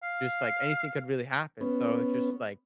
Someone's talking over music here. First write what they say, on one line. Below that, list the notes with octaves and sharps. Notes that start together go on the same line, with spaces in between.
just, like, anything could really happen so it's just, like,
F5
B3 C#4